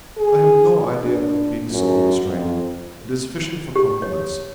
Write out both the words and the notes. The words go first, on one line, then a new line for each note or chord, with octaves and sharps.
I have no idea of being so overstrained! It is fishing for compliments.
G#4
D4
F#2
F2
G4
C#5